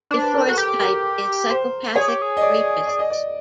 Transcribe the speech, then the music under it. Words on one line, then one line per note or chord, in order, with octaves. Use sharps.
A fourth type is psychopathic rapists.
D4 C5
B4
A#4
A4
F#4
G4 A4
A#4
C5
G#4 C#5
G4
G#4
D#5
D5
D5
D#5
D5